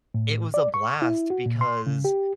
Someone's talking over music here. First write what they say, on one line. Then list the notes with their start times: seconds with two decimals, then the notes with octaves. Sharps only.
it was a blast because
0.14 A2
0.54 D5
0.74 C#6
1.02 E4
1.30 F#4
1.46 A#2
1.61 C6
1.87 C#3
2.05 G4